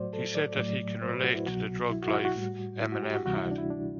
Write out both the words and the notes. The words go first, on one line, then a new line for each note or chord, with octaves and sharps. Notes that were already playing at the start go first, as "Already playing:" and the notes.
He said that he can relate to the drug life Eminem had.
Already playing: A2 F#3 A3 F#4 C5 D5
A4
D5
A2 F#3 A3 D5
C5
B4
F#4
E4
C2 B2 F#3 F#4
E4
F#4
E4
F#4
F#4
A2 G3
E4
F#4
G4
F#4
D2 C3 E3 G3 F#4
E4
D4
E4
D4